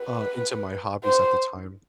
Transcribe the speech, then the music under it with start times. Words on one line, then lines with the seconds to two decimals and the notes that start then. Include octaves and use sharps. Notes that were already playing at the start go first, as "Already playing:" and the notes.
uh, into my hobbies at the time.
Already playing: B4
1.04 C5